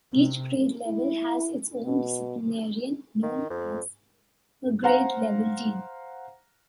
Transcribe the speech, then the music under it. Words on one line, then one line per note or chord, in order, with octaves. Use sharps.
Each grade level has its own disciplinarian known as a grade level dean.
C3
E4
B2
D#3
F2
C5 F5 F#5 A#5